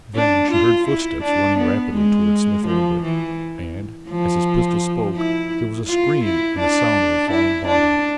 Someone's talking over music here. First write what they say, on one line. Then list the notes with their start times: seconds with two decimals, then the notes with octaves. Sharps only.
Then she heard footsteps running rapidly toward Smith-Oldwick and, as his pistol spoke, there was a scream and the sound of a falling body.
0.15 D4
0.51 F4
0.87 E4
1.23 D4
1.58 B3
1.93 G#3
2.66 F3
3.02 E3
4.09 F3
5.16 E4
5.88 F4
6.23 E4
6.59 D4
7.31 E4
7.67 D4